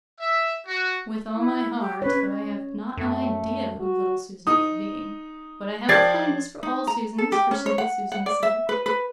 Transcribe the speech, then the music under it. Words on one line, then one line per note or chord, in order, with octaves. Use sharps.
'With all my heart, though I have not an idea who little Susan may be. But I have a kindness for all Susans, for simple Susan's sake.'
E5
F#4
E4
G4
C#4 B4 C#5
D#5
F#2 A3
F#4
D#4 D#6
F3 G4 D5 G#6 A6 C7
D#4
A#5
A4
G4
C#4
C#5
F#5
F#5
D5
E5
B4
B4